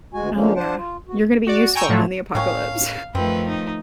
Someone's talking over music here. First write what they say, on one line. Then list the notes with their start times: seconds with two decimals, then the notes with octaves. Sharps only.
Oh yeah, you're gonna be useful in the apocalypse.
0.14 D2 G#3 F#4 G#5
0.34 D3 F3 G#3 A#3 C#4
0.56 D4 C5 F#5 A5
0.76 F4
1.08 G2 F#4
1.47 F#4 D5
1.62 F#4
1.75 G5 G#5 A#5 C#6 E6 G6
1.89 A2 F3 F#3 A3
2.35 A2 D#3 F#3 C#4 F5
3.15 F#2 D#3 F3 A3 C4 B4
3.48 D#4